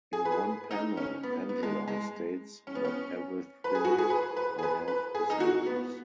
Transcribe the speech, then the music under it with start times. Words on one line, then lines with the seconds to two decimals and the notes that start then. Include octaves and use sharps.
In one panel, Angela states that "everything I have is yours".
0.13 G#4
0.25 B4
0.32 G#4
0.71 D#4
0.97 C#4
1.23 B3
1.49 B3
1.63 G#3
1.88 G#3
2.67 C#4
2.75 B3
2.85 C#4
3.64 B4
3.75 G#4
3.85 F#4
3.98 G#4
4.10 B4
4.37 B4
4.59 G#4
4.63 B4
4.88 B4
5.15 G#4
5.30 D#4
5.40 F#4
5.66 B3